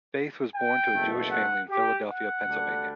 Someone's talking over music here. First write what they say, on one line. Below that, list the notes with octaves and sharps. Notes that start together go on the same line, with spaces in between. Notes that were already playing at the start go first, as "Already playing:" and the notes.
Feith was born to a Jewish family in Philadelphia, Pennsylvania.
G5
F#1 E2 B2 A3
F#5
G4
F#5
D2 D3 G3 D4